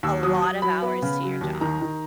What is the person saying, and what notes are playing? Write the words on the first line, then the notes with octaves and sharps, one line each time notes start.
a lot of hours to your job.
D#2 E6
F#3 D#6
F#3 D#6
F#3 B5
B3
C#3
F#3
D#2
D#3 A#5
D#3